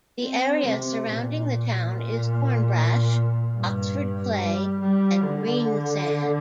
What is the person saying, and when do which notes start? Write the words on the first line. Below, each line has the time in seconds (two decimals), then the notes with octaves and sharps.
The area surrounding the town is Cornbrash, Oxford Clay and Greensand.
0.23 C4
0.65 C3
1.06 A#2
1.90 A#2
3.56 G2
4.40 G3
4.81 G3
5.23 D3